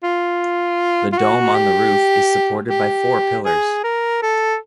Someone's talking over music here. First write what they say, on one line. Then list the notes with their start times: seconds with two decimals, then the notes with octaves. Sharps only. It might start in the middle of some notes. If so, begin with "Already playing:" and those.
The dome on the roof is supported by four pillars.
0.03 F4
1.13 F4
1.18 F#4
1.55 G4
2.70 G4
3.46 G#4
3.84 A#4
4.22 A4